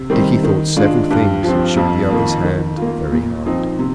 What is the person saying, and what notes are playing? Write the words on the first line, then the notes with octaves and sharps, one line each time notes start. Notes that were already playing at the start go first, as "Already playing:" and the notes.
Dickie thought several things and shook the other's hand very hard.
Already playing: C3
D#3 G3 C4
D#3
G#3 D4 F4
G2
F3 C4
F2
D#3 A#3 F4
D#3
A#3 F4
A#2
F3 C4 D#4
C3